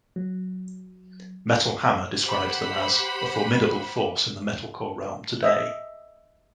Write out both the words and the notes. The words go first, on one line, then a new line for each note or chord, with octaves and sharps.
Metal Hammer described them as "a formidable force in the metalcore realm today".
F#3
G4 C5 F#5 B5
D#5 E5